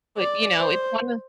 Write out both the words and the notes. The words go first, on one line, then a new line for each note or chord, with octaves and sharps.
But, you know, it's one of
D5
C5